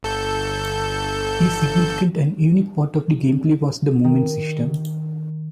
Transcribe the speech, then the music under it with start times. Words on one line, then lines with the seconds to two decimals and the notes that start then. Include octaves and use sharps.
A significant and unique part of the gameplay was the movement system.
0.03 G1 A4 G6
4.04 D#3